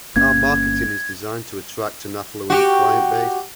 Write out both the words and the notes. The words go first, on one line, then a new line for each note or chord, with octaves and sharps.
Our marketing is designed to attract an affluent client base.
G1 A#3 C#4 G#6
F#4 G4